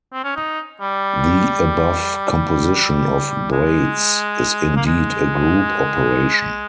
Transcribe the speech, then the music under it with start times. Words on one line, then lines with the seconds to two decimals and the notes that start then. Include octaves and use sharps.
The above composition of braids is indeed a group operation.
0.13 C4
0.24 C#4
0.36 D#4
0.81 G3
3.52 G#3
4.76 A#3
4.87 G#3